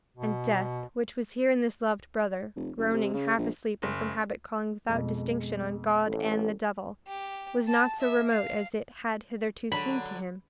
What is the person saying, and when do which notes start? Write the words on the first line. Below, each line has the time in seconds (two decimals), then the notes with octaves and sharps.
And death, which was here in this loved brother, groaning half asleep and from habit calling without distinction on God and the devil, was not so remote as it had hitherto seemed to him.
0.16 B2
2.56 F1
2.78 F#1
2.94 C3
3.14 C#3
3.38 A#1
3.83 F#1
4.89 F2 B2 G#3
6.06 A1 A4 B4
7.07 G4
7.67 A5
8.00 E5
8.30 F5
9.72 D3 F#3 B5